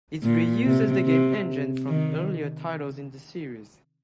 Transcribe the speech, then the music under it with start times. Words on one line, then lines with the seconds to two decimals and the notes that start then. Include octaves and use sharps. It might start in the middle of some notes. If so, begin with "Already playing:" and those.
It reuses the game engine from earlier titles in the series.
0.23 A#2
0.64 C3
1.06 C3
1.88 D#3